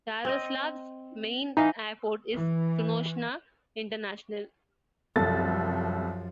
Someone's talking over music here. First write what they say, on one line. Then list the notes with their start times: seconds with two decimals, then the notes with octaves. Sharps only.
Yaroslavl's main airport is Tunoshna International.
0.25 C4 D#5
1.57 E3 D#4 D#5 F5
2.34 E3
5.16 C2 F#2 F3 A4 A6